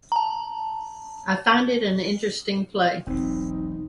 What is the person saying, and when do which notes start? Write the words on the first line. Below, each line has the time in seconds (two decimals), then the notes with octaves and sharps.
I find it an interesting play.
0.12 A5 A#5
3.07 E1 B1 C4 D#4